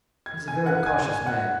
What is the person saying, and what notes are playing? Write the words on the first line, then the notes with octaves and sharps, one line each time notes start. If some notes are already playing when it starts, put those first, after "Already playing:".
He's a very cautious man.
G#6
G#5 G#6
F1 D#2 C#3 F#5 F#6
G#5 G#6
G#5 G#6
F#5 F#6